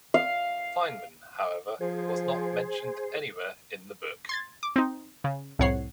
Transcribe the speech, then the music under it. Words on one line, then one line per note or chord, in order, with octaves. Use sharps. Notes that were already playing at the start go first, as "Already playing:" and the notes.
Feinman, however, was not mentioned anywhere in the book.
F5
F3 G#4 C5
C6 G#6 A6
D6
C4 D#4
C#3
C2 F2 A2 C#5 F#5 C7